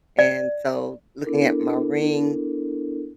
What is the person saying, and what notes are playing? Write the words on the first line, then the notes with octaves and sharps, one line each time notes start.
and so, looking at my ring
D5
B3 D4 E4 A4 A#4